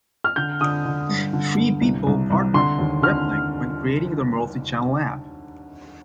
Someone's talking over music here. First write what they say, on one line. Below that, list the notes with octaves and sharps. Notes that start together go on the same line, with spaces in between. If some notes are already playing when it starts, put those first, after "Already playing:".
Free People partnered with WebLinc when creating their multichannel app.
F6
D3 G6
D3 D#6
D3
G2
D3
G2
C2
C2
C2
D3 C6
D#2
D3 F6